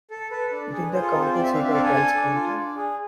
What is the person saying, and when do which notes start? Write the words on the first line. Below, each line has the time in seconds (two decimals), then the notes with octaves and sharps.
It is the county seat of Wells County.
0.10 A4
0.31 A4 B4
0.52 D4
0.72 G#4 A4
0.82 B4
0.93 F4 C5
1.02 A4
1.13 C4 A4
1.23 C5
1.33 C4 D5
1.43 E5
1.54 D4 F5
1.64 E5
1.74 A4 F5
1.84 G#5
1.95 A4
2.14 D4
2.35 F4
2.56 D4
2.76 G#4